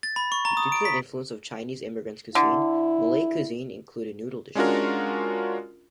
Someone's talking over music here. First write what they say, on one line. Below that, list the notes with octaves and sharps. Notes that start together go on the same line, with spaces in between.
Due the influence of Chinese immigrants cuisine, Malay cuisine include noodle dishes.
A6
B5
C#6
A#5
D#6
D7
B6
D3 E4
G#3 C#4 D4 F4 F#4 A#4